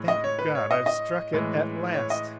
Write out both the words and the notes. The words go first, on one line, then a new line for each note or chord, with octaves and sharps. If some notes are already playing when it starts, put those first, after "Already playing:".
"Thank God, I've struck it at last!"
Already playing: A2 G#3
D#5
C#5
B4
C#5
D#5
D#5
A2 E3 G#3
C#5
D#5